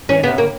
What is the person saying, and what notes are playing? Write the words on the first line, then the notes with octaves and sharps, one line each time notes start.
you know.
C#4
B3
A#3